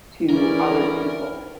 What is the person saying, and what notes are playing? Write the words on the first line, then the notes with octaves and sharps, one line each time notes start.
to other people
E3 C#4 E4 A#4 D5